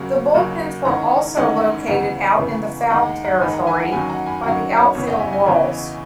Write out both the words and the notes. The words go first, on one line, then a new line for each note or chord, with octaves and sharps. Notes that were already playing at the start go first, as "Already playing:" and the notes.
The bullpens were also located out in the foul territory by the outfield walls.
Already playing: D#2 C#3 F#3 A#3 C#4
D#2 C#3 F#3 A#3 C#4
G#2 D#3 G#3 C#4 E4 F#5 A#5
G#2 D#3 G#3 C#4 E4 D#5 F#5
C#3 E3 B3 F#5 A#5
C#3 E3 B3
D#2 D#3 G#3 F#5 A#5
F#5 A#5
D#2 D#3 G#3 G#5 B5
F#5 A#5
E5 G#5
F#5 A#5
D#2 D#3 F#3 C#4 G#5 B5
F#5 A#5
G#5 B5
D#2 D#3 F#3 C#4 F#5 A#5
C#5 E5
E2 C#3 E3 C#5
D#5 F#5
E5 G#5
E5 G#5
E2 C#3 E3